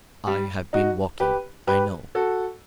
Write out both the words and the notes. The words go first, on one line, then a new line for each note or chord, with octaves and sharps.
I have been walking, I know.
G3
D#4 F#4
G4 B4
G4 B4
F#4 A4